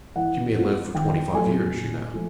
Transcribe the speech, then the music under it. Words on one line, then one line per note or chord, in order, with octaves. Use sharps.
"But you may live for twenty-five years, you know."
E3 F#5
A3 C4 F4
D#3 G5
F#3 A3 G#5
A#2
F3 A3